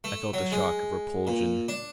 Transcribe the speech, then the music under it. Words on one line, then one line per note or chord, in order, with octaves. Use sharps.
I felt a shock of repulsion.
A3
F#3
G#3
A#2
D4